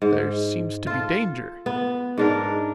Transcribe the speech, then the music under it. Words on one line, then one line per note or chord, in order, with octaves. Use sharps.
"There seems to be danger."
G#2
F4 A4
B3
G#2 D4 A#4